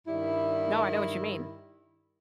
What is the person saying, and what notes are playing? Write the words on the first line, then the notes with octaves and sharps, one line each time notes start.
No, I know what you mean.
G2 D#3 G3 E4